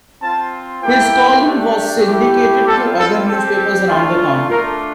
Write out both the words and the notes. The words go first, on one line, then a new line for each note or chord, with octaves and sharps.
His column was syndicated to other newspapers around the country.
C4 F4 A5
A#3 E4 G4 G5
A3 D4 G4
A3 E4 G4
G3 C4 F4 A4
A4
C4 G4 A4
A3 D4 F4
A3 D4 F4 A#4